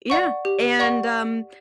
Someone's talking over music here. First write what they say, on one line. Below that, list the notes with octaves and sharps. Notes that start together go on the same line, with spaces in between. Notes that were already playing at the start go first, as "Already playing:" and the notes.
Yeah, and, um,
D5 F#5 C#6
G4
D5 F#5 C#6